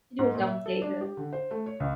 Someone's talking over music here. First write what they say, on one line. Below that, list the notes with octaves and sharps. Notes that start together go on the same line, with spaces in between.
Do a double taker.
G#2
A#2
E5
A4
D4
G4
D3
C5
A3
C#5
C#2